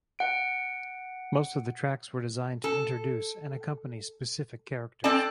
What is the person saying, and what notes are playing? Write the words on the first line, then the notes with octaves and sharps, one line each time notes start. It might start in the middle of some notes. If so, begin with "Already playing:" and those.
Most of the tracks were designed to introduce and accompany specific characters.
F#5 D7
A4
C4 D4 A4 D5 A5